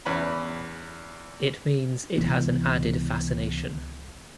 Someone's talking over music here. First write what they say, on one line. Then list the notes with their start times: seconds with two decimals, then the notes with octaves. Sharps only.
It means it has an added fascination.
0.05 E2 C#4 B4 B5
2.17 C#2 C3 E3 B3